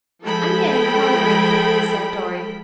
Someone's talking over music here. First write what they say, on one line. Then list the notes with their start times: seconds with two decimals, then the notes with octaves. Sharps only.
"I'm getting hungry," said Dorry.
0.22 F3 G#3 A4 G5 B5